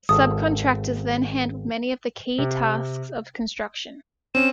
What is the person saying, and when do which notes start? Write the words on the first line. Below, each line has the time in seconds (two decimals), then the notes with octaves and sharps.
Subcontractors then handled many of the key tasks of construction.
0.09 G#1 A4 D#6
2.38 C3
4.35 C4 C#4 D#7 E7